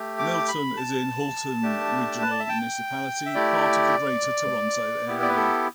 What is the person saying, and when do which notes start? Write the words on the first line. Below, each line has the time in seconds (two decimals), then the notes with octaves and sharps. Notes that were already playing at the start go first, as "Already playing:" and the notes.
Milton is in Halton Regional Municipality, part of the Greater Toronto Area.
Already playing: A3 G4
0.19 D6
0.48 B5
0.77 A5
1.63 A3 D4 G4
2.22 B4
2.31 D5
2.40 E5
2.49 G5
3.26 E5
3.35 A3 E4 G4 D5
5.08 B3 E4 G4
5.22 D5
5.29 B4
5.36 A4